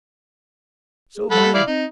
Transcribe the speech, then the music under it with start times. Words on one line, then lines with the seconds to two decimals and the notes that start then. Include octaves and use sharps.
So mind.
1.16 G#4
1.31 G3 A4 F#5 B5
1.54 E4 D5 F5
1.67 C4 D#4